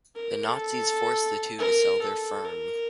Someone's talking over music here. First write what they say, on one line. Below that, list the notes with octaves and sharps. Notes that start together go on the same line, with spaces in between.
The nazis forced the two to sell their firm.
A#4
A4
A#4
A4
A#4